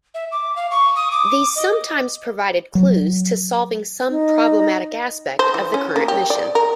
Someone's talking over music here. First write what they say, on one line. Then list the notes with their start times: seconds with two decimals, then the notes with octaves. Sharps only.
These sometimes provided clues to solving some problematic aspect of the current mission.
0.15 E5
0.32 D6
0.56 F5
0.71 C#6
0.96 D#6
1.11 D6
1.56 D#5
2.75 F#3
4.10 D#4
5.39 C5
5.54 E3
5.74 C#4
5.96 A#3
6.08 G4
6.30 D5
6.55 A#4